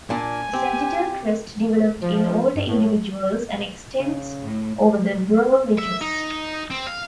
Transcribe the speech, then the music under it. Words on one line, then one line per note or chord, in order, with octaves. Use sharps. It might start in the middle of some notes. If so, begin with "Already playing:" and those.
A sagittal crest developed in older individuals and extends over the brow ridges.
A#2 D4 G#5
C4 G4
F3
G2
A2
C#3
A2
E5
D#4
C4
F5